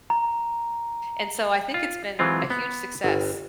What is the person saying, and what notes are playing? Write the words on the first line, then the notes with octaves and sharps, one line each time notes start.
and so I think it's been a huge success.
A#5
F4
E3 F#3 G#3 C4 F4
B3
G1